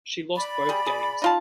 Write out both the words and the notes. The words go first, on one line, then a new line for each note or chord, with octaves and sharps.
She lost both games.
D5 B5
G3 G#4
G#4
D#4 F4 A5